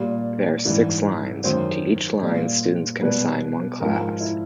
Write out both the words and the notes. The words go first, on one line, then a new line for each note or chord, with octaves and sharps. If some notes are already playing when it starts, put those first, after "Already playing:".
There are six lines; to each line students can assign one class.
Already playing: A#2 G3 D5
G#2 E3 G3
F#2 D#3 F#3 C5
A#2 G3
B2 G3 B4
G#2 F3 G#3 A#4
E4